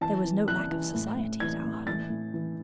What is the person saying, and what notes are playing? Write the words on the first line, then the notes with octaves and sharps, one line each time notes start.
There was no lack of society at our home.
E3 A5
E3
E3 F#6
E3
A2
A2
E3 G#6
A2
E3 A6
A2
E3